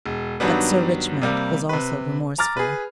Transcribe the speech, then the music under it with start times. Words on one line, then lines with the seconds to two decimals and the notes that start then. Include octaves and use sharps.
But Sir Richmond was also remorseful.
0.06 E1
0.40 G2 D#3 F#3 G3 B3
1.22 C3 G3 A#3
1.69 C3 B4
2.39 A#5 D6 F6 A6
2.57 G#4 B4